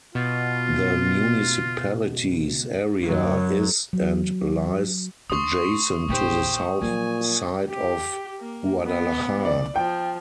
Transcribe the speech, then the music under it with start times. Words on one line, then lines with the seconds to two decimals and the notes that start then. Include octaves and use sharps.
The municipality's area is and lies adjacent to the south side of Guadalajara.
0.15 B2 F4
3.04 F#2 F#3
3.93 F#3
5.30 D4 C6 C#6 D#6
6.08 A#1 D#3 G4 C5
6.81 A#2 F3 F#3 G#5
7.69 G4
8.40 A#3
8.84 B3
9.45 D5
9.76 F3 G5